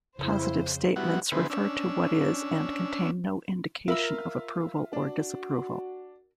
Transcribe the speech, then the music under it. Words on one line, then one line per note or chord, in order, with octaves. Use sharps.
Positive statements refer to what is and contain no indication of approval or disapproval.
F2 C#3 E4 C5
G3 B3 E4 F#4 F#5
D3 B3 E4 G#4 B4 C5
C#4 D4 E6
F4 A#4 E5 B5 E6
D4 F#4